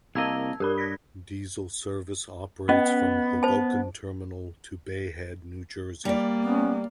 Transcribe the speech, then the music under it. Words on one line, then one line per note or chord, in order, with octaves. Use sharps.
Diesel service operates from Hoboken Terminal to Bay Head, New Jersey.
C2 A#3 D#5 A5 E6 G#6
G2 G4 A#4 B5
G#6 A#6 B6
B3 C#4 D#5
C5 A5
G3 A#3 D5
B3 C#4